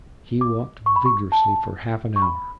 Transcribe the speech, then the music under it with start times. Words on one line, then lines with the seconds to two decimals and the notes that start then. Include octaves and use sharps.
He walked vigorously for half an hour.
0.41 D6
0.86 C#6
0.96 B5
1.06 C#6
1.32 A5
2.16 C#6
2.22 B5